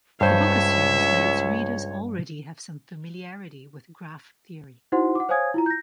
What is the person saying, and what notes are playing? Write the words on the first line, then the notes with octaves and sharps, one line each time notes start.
The book assumes that its readers already have some familiarity with graph theory.
C#2 G2 C5 C#5 E5
D#4 E4 F#4 C5 F#5 C6
F#5 D6
C5 C#5 F5 G#5 D#6 G#6
E4 F4 A#5
G6 A#6